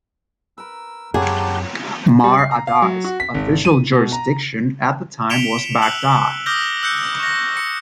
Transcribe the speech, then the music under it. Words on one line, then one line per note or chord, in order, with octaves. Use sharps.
Mar Addai's official jurisdiction at the time was Baghdad.
A#4 B4 E6
F#2 F#3 A#3 C4 G4 G#4 F#5 A5
G3
C7
A#5
F5
F#3
F#4
B6
G#1
D#7
B2
A#5
B6 C#7 D7 E7 F7 G7
E6 F#6 C#7 F#7
D6 D#6 F6 G6 A#6 G7
E6 F#6 G6 C#7
C#6 A#6
C#7